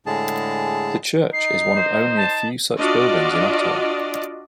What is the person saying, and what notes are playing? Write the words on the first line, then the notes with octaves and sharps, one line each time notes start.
The church is one of only a few such buildings in Ottawa.
A2 D3 G#3 G#4 A5
D#4 C7
C5
A5
D4 F4 F#4 D5 D#5